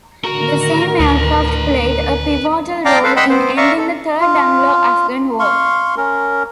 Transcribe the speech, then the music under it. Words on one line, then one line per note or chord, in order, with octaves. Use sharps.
The same aircraft played a pivotal role in ending the Third Anglo-Afghan War.
A2 D3 D#3 F#4 A#4
D2 B4 A#5
D5 F5 G5 A5 A#5 D6
A4 B4 C5 F5
D#5 F#5 G5 B5 C6 E6
B3 C4 C5
D5 E5 F5 A#5 C#6
A4
F4
F5 C6 C#6
C#4 A#4